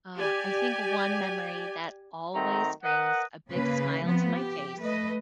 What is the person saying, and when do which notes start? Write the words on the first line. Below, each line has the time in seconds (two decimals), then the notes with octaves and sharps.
Oh, I think one memory that always brings a big smile to my face
0.16 G4 D5 G#5
2.35 D#3 F#3 A3 C4 A#5
2.83 A#4 B4 D#5 F#5
3.50 C#3 A#3 B4
4.04 F3 B3 C4
4.34 G4
4.80 A3 B4 D#5